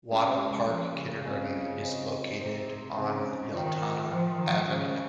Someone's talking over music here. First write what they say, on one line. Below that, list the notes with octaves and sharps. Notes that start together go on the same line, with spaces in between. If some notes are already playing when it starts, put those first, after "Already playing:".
Wattle Park Kindergarten is located on Yeltana Avenue.
G#3 A#3 C#4 G4 A#4
F3 A#3 C#4 G4 A#4
C#3
C4 F4 C5 D#5 G#5
C4 F4 C5 D#5 G#5
C3 C4 D#4 G#4 C5
C#3 C4 D#4 G#4 C5
D#3 F4 C5 G5
F3 F4 C5 G5
D#3
C#3 G4 C5 F5